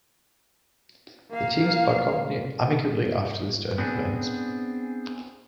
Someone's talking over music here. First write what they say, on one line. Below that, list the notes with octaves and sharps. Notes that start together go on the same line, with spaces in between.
The teams part company amicably after this turn of events.
A#3 F5
B3 C4 D4 G#4